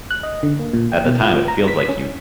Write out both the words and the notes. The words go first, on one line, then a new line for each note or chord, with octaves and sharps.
at the time, it feels like you
F#6
D#5
D3
A#3
A#2
G5
B2
F4
A#5
B6
C#4